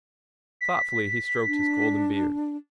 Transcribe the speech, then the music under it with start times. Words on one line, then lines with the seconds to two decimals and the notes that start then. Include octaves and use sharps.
Thoughtfully he stroked his golden beard.
0.61 B6
1.46 D4